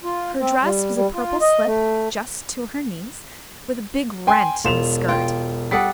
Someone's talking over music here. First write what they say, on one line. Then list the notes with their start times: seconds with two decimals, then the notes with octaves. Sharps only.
Her dress was a purple slip just to her knees, with a big rent in the skirt.
0.04 F4
0.40 C4
0.63 G3
0.95 G3
1.14 F4
1.41 D#5
1.66 A3
4.27 G5 G#5 C6
4.64 E1 F4 E7 F7
5.08 F4 G5
5.71 G3 A4 F#5 D#6 B6